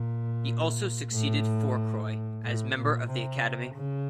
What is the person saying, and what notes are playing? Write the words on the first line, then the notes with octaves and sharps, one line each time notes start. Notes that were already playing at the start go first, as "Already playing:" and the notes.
He also succeeded Fourcroy as member of the Academy.
Already playing: A#2
A2
A2
A#2
C3
C#3